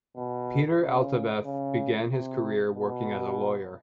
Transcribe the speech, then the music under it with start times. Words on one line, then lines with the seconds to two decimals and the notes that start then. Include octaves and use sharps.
Peter Altabef began his career working as a lawyer.
0.17 B2
0.82 C#3
1.45 C#3
2.11 C3
2.75 B2